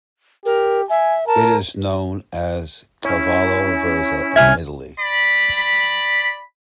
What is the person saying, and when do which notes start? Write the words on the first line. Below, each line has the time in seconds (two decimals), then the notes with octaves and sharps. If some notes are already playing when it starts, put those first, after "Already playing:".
It is known as 'cavolo verza' in Italy.
0.46 G4 A#4
0.90 E5 G#5
1.27 A#4 A5
3.05 C#4 E4
4.36 C2 E5 G#5 F6 G#6
5.00 D5 B5